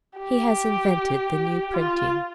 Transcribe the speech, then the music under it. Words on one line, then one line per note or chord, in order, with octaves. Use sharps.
He has invented the new printing.
G4
F4